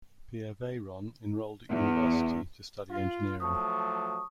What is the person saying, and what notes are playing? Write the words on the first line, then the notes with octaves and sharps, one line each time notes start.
Pierre Veyron enrolled at university to study engineering.
E2
F4
F3 F#3 A3 A5 C#6 D#6